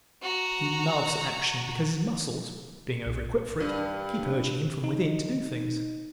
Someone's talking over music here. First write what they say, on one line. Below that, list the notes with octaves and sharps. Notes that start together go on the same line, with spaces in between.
He loves action because his muscles, being over-equipped for it, keep urging him from within to do things.
F#4 A#5
B1
G2
D#4